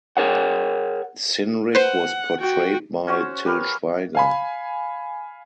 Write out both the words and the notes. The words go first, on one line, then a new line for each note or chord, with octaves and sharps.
Cynric was portrayed by Til Schweiger.
G#4 A#4 C#5 F#5
B4 C5 F#5
F#4 G5
C#4 F#4 C5 C#5
G4 A#4 B4 F5
F5 G#5 B5